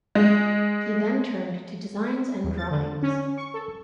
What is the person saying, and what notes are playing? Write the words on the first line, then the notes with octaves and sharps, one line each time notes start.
He then turned to designs and drawings.
G#3
E2
A6
D3
C#4
C#6
A4